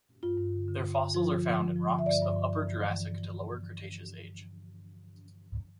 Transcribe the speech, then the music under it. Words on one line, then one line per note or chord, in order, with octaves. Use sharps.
Their fossils are found in rocks of Upper Jurassic to Lower Cretaceous age.
G2 F4
G2
D3
D3
G2
D3
F3 F4
D3
F3
F3
F3
D3
E5
G2 D5
G2
G2
E3
G2
E3
G2